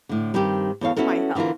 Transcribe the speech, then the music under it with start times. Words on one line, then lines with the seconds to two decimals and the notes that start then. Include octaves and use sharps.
my health.
0.09 A2 D3
0.34 G2 D#3 G3 C4 G4
0.81 E2 A4 C#5 F5
0.97 B3 C#4 E4 F#4 A4 A#4
1.35 D3 E3 D4 F4 A#4